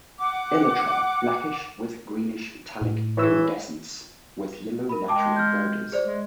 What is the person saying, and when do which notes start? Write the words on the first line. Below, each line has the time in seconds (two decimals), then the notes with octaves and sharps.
Elytra blackish with greenish metallic iridescence with yellow lateral borders.
0.19 F#5 D6
2.82 A2
3.17 E3 C#5 E6
4.89 A#4 B5
5.08 G#3 G5 A5 D6
5.36 F6 G6
5.92 G#4 C5 D5
6.04 G#3